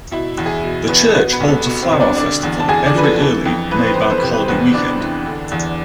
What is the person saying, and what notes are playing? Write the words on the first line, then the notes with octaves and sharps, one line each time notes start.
The church holds a flower festival every early May Bank Holiday weekend.
B2 E4 E5
E2
G#4
B2
E2 B3 B4
A4
B2 B3 B4
B3 B4
C2
A4
B2
C4 C5
C2
D4 D5
D3 D4 D5
E2
A5
E2 G#4 G#5
D4 D5
F3 B4
A4
E3
F2
E3 B4
C5
B4
C5
F2 B4
C5
B4
C3 C5
B4
C5
E2 B3 B4
E2 D4 D5
E3
D3
E2